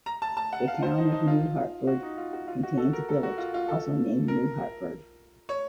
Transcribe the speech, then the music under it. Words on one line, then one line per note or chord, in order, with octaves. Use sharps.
The Town of New Hartford contains a village, also named New Hartford.
A#5
A5
A5
F#5
F5
C5
D#4
D#4
F4
F#4
D#4
F4
F#4
F4
F#4
A4
A#4
A4
F#4
F4
F4
A4
A#4
C#5